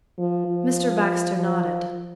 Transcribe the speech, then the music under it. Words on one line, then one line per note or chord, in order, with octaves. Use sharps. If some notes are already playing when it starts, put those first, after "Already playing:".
Mr. Baxter nodded.
F3
F3
F3